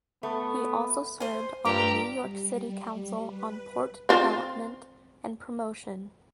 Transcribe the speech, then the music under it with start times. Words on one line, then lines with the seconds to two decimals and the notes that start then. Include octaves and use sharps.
He also served on the New York City Council on Port Development and Promotion.
0.23 A3 B3
1.20 C5 G#5
1.65 G2 F4 G4 G5 A#5
2.21 G3
3.27 B4
4.09 C4 F4